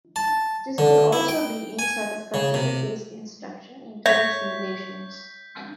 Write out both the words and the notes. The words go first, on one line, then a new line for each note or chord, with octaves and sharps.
This could also be any sort of computer-based instruction, including simulations.
A5
D3
E4
G5
G#5
C#3
C3
C#5 E5 G6 B6